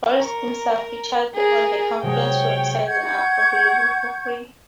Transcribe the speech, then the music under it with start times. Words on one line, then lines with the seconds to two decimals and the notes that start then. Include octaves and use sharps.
All streams are featured on the conference website and are available for free.
0.19 A#4 A#5 C#6
1.35 G#4 A#4
2.03 C3 F#3 G#3 C#5 G5
2.86 F#5 C#6 G6 G#6